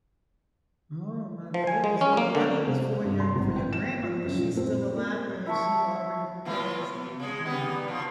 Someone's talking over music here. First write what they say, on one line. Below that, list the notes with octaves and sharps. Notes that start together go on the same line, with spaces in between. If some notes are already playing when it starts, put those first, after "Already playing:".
Oh my goodness. Well, the money was for your for your grandmother. Was she still alive or has she already passed then?
F3
G#5
G#3
C#4
A#3
D3
C3
G2
C6
G#1
G5
E7
F3
F#2
A#2
C4
A#3
E4 E5 A5 C#6
A#2 E3 F4
B2
C3 G#3
G3 B3 D#4
B2 F3